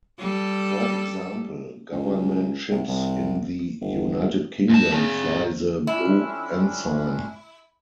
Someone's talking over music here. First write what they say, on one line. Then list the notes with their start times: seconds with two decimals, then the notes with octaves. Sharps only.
For example, government ships in the United Kingdom fly the Blue Ensign.
0.19 G3 A4
1.92 C#2
2.71 C2
2.88 C2
3.81 G1
4.70 F2 A5
4.92 C4 G#4
5.87 F2 C#4 D4 E4